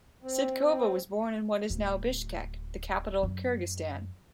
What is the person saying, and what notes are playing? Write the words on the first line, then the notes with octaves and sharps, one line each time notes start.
Sydykova was born in what is now Bishkek, the capital of Kyrgyzstan.
C4
D1
F#2